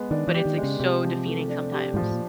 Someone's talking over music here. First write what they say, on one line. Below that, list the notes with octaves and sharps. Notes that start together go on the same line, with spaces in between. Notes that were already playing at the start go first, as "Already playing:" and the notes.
but it's, like, so defeating sometimes
Already playing: G#3 B3
D#3 D4
E3
G4
D#3
G#3
C#3
C3 G4
F3
A3
D4
G4
G#2 F3
A2
A#2